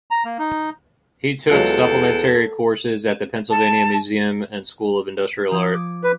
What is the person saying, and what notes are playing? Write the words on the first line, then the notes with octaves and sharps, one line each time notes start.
He took supplementary courses at the Pennsylvania Museum and School of Industrial Art.
A#5
A#3
D#4
E2 F#3 G#3 F4 A4
A5
F3 D#6 G#6
D6
B4